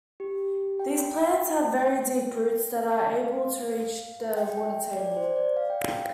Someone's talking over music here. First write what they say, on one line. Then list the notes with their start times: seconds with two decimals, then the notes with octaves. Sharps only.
These plants have very deep roots that are able to reach the water table.
0.20 G4
0.80 G5
3.18 F5
4.37 G5
4.97 D5
5.17 C5
5.36 D5
5.57 F5
5.70 G5
5.83 F5